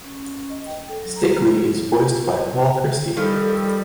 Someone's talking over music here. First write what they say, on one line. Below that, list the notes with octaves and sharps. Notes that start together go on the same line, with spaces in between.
Stickly is voiced by Paul Christie.
C#4
C#4
C#4
D#5
G5
A4
F#3
A#5
C5
D#3 F3 G3 A4